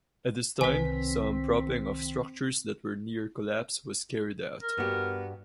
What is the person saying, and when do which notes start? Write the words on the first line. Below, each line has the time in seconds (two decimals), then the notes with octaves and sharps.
At this time some propping of structures that were near collapse was carried out.
0.61 C2 D#3 C4 B4 G#5 B6
4.62 A#4
4.77 G2 B3 F#4 G4